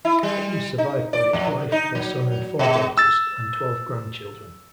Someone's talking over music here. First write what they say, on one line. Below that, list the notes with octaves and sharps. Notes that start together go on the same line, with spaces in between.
He was survived by his wife, their son and four daughters, and twelve grandchildren.
E4
G3
D#4
D5
F2
D3
D#4
F#3
B2
E6 A6